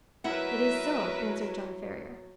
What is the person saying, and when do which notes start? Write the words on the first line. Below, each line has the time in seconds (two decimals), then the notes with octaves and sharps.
"It is so," answered John Ferrier.
0.24 F#3 E4 A#4 B4 E5 F#5